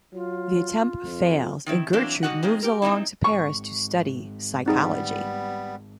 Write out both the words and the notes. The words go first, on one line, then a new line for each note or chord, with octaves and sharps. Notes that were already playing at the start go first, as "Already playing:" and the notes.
The attempt fails and Gertrud moves alone to Paris to study psychology.
F#3 F4
F2
D#3 C4 E4
E3 F#3 A#3 C4 D4
G3 D#4 F#4 D#5 F#5
F3 G#3 C4 D#4
G4 A#4
G#3 C4 D#4 E4
G#1 C#6
G3 B3 C4 D#4 G#4